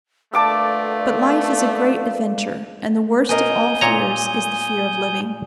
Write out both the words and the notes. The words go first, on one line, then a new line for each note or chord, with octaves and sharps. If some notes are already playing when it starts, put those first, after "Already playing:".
But life is a great adventure, and the worst of all fears is the fear of living.
A#2 D3 A3 B3 F5 A5 D6 E6
B2 A#4 D#5 G#5 D#6 G6
A#2 C#5 A#5